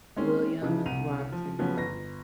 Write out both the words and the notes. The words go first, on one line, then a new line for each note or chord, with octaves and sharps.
William Robson.
G#3 A#3 C4 C#4
C#3 E3 F3 D#4
C2 D#7 F7
F3
C#3 F3 F#3 B3 C#4
G1 A#6